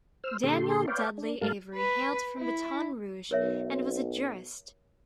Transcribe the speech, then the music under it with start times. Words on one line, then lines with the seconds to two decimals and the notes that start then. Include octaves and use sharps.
Daniel Dudley Avery hailed from Baton Rouge, and was a jurist.
0.24 C5 E6 F6
0.43 A#2 D3 G4 A4 C6
0.88 B4 C#5 D5 F5 G5
1.18 D4
1.41 G#2 G3 A3 A#4 F5 A5
1.75 B4
2.38 E4
3.31 B1 A#4 C#5 E5